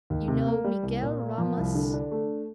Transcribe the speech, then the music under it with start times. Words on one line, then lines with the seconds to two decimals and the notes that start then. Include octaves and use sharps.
You know Miguel Ramas?
0.10 D#2
0.28 C3
0.47 A#3
0.64 G3
0.83 C2
1.02 A#2
1.20 A#3
1.38 F3
1.57 C2
1.75 D3
1.94 D4
2.12 A3